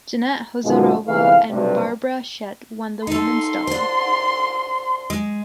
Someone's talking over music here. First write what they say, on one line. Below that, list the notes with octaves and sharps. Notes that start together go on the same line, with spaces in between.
Janette Husárová and Barbara Schett won the women’s double.
F#2 B2 D3 D#3 F3 G#3
G1 C3 E3 G#3 B4 F5
B1 G2 C3
D#4 A4 C6
D4 C5
G#3